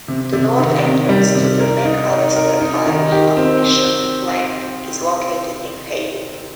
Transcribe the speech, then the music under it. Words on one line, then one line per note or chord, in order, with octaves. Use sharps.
The north entrance to the McAlester Army Ammunition Plant is located in Haywood.
C3
C3
D#3
C3
G3
C3
A#4
D#4
D#4
A#4
D#4
D#3
G4
C4
C4